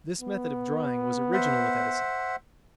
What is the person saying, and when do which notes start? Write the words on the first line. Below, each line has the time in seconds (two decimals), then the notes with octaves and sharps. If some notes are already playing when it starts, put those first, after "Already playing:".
This method of drying was original with Edison.
0.21 B3
1.33 C5 E5 F#5